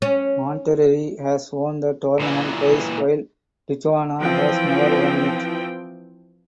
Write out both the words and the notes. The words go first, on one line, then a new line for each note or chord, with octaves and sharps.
Monterrey has won the tournament twice while Tijuana has never won it.
C#4
A#2 E3
E3 F3 C4 G5